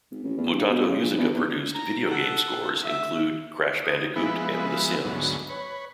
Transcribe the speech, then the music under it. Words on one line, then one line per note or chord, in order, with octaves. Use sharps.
Mutato Muzika-produced video game scores include "Crash Bandicoot" and "The Sims".
G#1
A1
E2
G2
B2
C#3
A#1
E2
E2
A#5
A4 F#5
E5
D#6
F3 G#3 B3 B4 E5
D2 G#2 F#3 B3
B4 C#5